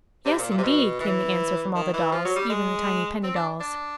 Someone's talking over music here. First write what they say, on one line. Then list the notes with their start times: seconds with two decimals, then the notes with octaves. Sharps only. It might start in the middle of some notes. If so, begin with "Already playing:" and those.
"Yes, indeed!" came the answer from all the dolls, even the tiny penny dolls.
0.26 C3
0.39 A#2
0.51 A#2
0.58 C3
0.63 B2
1.00 E3
1.75 D#3
1.94 E3
2.12 F3
2.25 F#3
2.36 G3
2.50 G#3
3.24 C4
3.36 D4
3.60 D4